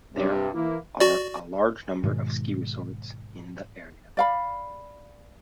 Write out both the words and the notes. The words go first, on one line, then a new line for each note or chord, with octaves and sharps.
There are a large number of ski resorts in the area.
G2 C3
E3 A#3 E4
F#4 D5
G#2 B2 D#3 G#3
D5 F5 B5